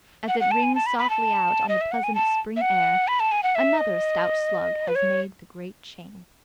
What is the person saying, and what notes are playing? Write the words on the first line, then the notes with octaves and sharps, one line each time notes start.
As it rings softly out on the pleasant spring air, another stout slug has made the Great Change.
F#5
F#5
A5
G#5
A5
B5
B5
A5
D#5
E5
F#5
G#5
A5
E5
F#5
B5
A5
G#5
F#5
E5
D#5
B4
C#5